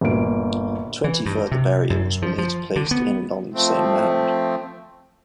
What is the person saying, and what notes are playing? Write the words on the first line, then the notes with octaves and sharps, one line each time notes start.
Twenty further burials were later placed in and on the same mound.
G1 D2 A#2 A#3 D7
E3
G2
C3
F#2
F3
F3
D3
B3
F3 A3 C4